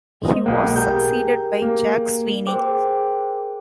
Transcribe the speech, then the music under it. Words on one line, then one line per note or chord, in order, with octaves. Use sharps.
He was succeeded by Jack Sweeney.
G#3 C5 D#5
B1 A#3 F#5 G5 D#6
G4 G#4 A#4 G6
A#3
G#4 A#4 C5 G5 D6